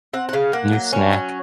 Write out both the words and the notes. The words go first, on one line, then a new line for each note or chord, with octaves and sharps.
New snack.
C4 F#5
F#5
C#3 F5
A#3 F#5
F#3
C#4
F#3